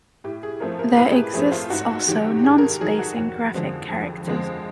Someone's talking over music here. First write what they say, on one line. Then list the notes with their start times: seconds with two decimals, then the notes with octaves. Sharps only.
There exists also "non-spacing" graphic characters.
0.24 A2 G4
0.43 G#4
0.60 F3 A3 C4 A#4
0.79 A#4
0.97 A2 B4
1.11 G#4
1.15 G4
1.34 F3 A3 C4 G#4
1.52 F4
1.70 G#2 F#4
2.07 D#3 F#3 G4
2.43 G#2 G#4
2.58 A#4
2.62 A4
2.81 D#3 F#3 G#4
2.99 F#4
3.17 F2
3.54 D3 F3 G#3 C4
3.90 F2
4.27 D3 F3 G#3 C4